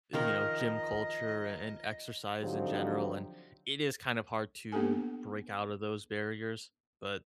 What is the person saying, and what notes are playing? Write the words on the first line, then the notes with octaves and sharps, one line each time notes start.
e you know, gym culture and exercise in general, and it is kind of hard to, break out of those barriers. But,
D#3 F3 A#4 D#5
D3 F3 F#3 C4 D#4 G4
A#3 B3 D4 G4 A4 G#5